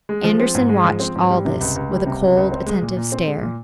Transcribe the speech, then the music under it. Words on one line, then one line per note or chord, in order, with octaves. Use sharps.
Andersen watched all this with a cold, attentive stare.
G#3
F3
C4
G#2
G#3
F3
C4
G#2
G3
C3
C#2
C#2
G3
C3
C#2
C#2
C4
G#3
A#2
A#2
C4
G#3
A#2